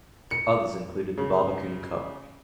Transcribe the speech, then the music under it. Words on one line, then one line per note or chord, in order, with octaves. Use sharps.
Others included the Barbican Cup.
C#7
C#3